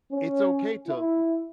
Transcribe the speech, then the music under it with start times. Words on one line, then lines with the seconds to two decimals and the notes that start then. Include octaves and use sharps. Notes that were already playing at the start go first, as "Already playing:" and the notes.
it's okay to l
0.12 C#4
0.88 E4